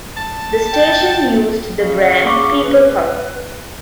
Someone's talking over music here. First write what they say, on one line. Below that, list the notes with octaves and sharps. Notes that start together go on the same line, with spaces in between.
The station used the brand "People Power".
A5
G5
C#3
C#6 D6
B4